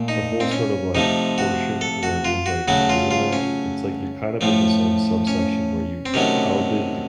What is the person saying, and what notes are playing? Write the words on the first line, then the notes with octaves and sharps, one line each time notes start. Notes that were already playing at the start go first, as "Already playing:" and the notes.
the whole sort of, like, portion where it is, like, Mario Land, it's like you're kind of in this own subsection where you how they've dec
Already playing: A#2 A3
D#4
C4
C#4
C3 F3 A3 D#4
F#4
A4
F#4
F4
F#4
C#3 F#3 A3 F#4
F4
F4
C#4
A2 F3 A3
C#4
C4
C3 D#3 F#3 A3 C#4